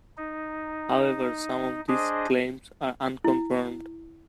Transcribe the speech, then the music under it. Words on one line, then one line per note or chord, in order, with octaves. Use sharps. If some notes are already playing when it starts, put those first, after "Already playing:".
However, some of these claims are unconfirmed.
D#4
D4 G#4 C5 D#5
E4